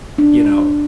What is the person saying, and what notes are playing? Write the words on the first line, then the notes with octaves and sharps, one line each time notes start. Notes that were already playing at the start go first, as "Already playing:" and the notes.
you know,
D4